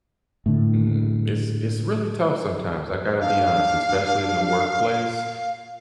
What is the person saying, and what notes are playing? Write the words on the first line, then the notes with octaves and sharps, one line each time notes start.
Mm. It's it's really tough sometimes. I gotta be honest, especially in the workplace.
A2 D3
D4 F5